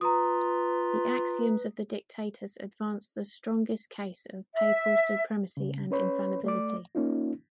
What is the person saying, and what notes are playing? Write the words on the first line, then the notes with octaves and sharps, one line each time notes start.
The axioms of the "Dictatus" advance the strongest case of papal supremacy and infallibility.
F4 B4 A#5 D#6
E5
C#3
C#4 B4 C#5 B5
A3 D5 D6
A#3 C#4 D#4 F4